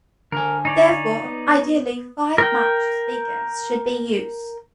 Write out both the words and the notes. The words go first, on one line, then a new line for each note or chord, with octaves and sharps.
Therefore, ideally five matched speakers should be used.
D3 A#4 G#5
D#4 C#5 D5
B3
A#4 G5